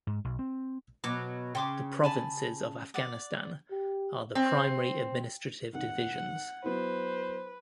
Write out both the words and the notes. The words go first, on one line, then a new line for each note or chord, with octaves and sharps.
The provinces of Afghanistan are the primary administrative divisions.
G#2
B1
C4
B2 F#3 D6
C#3 G5 C6 D6
G#5 A5 B5
D5 F#5
G4
C4
G#1 D#2 F#5
F#3 B3 E4 B4 C5